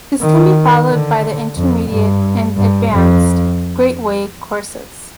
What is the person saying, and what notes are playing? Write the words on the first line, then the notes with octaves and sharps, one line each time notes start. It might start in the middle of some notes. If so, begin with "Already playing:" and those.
This can be followed by the Intermediate and advanced, 'Great Way' courses.
D#3
D3
F2
G2
G2
F2